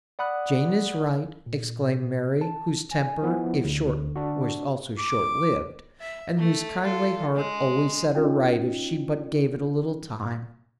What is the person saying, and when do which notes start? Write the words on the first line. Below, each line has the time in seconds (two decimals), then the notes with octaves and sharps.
"Jane is right," exclaimed Mary, whose temper, if short, was also short-lived, and whose kindly heart always set her right if she but gave it a little time.
0.19 D5 F#5 B5 D#6 F#6
1.46 A#2
2.41 A5
2.91 G#5
3.22 F3 B3 E4
3.64 D2 D3
4.16 D4 F#4
4.99 D6
6.01 E5
6.38 A3
6.83 F4 A4
7.35 G#3
8.15 C#4 D#4 F4 D#5 G5